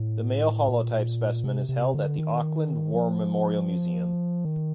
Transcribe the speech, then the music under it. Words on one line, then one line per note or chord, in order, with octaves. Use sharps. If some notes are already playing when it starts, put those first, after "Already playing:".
The male holotype specimen is held at the Auckland War Memorial Museum.
Already playing: A2
A#2
C3
C3
D3
D#3
F3
D#3